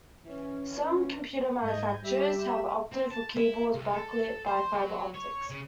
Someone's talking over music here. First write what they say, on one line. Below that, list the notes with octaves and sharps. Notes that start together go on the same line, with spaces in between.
Some computer manufacturers have opted for keyboards back-lit by fiber-optics.
E3 C#4
G#2 D#5 G6 G#6
G3 G4 E5 B5 E7
C4
A5
E4
C2
A4
C5
F#3
C#5
C#3